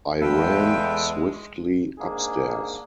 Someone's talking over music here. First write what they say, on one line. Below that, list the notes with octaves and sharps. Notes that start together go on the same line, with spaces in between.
I ran swiftly upstairs.
E2 G#3 A4 B4 E5 F5 G5
G#2 A#3 D4 G#4